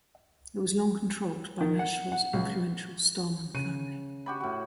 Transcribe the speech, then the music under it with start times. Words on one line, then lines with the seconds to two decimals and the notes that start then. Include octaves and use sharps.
It was long controlled by Nashville's influential Stahlman family.
1.61 D#3
1.79 F#5
2.12 F#5
2.33 C#2
3.54 C#3 D#7
4.26 F#4 G4 B5
4.40 A2 F#4